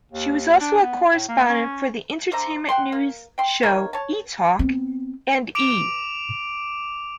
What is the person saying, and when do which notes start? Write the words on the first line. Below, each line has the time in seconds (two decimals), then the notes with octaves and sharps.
She was also a correspondent for the entertainment news show "etalk", and E!
0.12 D#2
0.61 D4
0.82 B3
1.11 A2
1.28 A#3
1.49 C#4
2.32 D3 C5 E5 A#5
2.69 F#5 G5 C6
2.92 A#3
3.38 G5 C6
3.63 A#3 D#4 A#4 C#5
3.93 C#5 A5
4.59 B3 C4
5.55 D6 D7 E7 F7